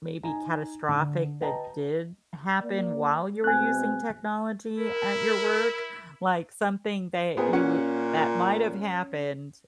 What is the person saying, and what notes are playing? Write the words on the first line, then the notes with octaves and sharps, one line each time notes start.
maybe catastrophic that did happen while you were using technology at your work? Like, something that you w that might have happened
D#4 G#5 A#5
D3
B4 D#5 G5 A5 A#5
A#3 D5
B2 G#3 C4 G#5 F#6
E4 A#4
A#2 B3 C4 G#4
C#4 F#5